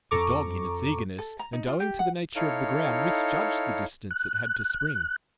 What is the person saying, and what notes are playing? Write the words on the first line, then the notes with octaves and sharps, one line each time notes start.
The dog in its eagerness, and owing to the nature of the ground, misjudged the distance it had to spring.
F2 A4 A#5 C#6 D6
A4
A#5
D#4
F4
G4
F#5
D#4 E4 A4 C#5 F5
F#6